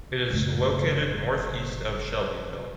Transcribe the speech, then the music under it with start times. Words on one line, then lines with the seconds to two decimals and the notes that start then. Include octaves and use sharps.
It is located northeast of Shelbyville.
0.30 F#1 A3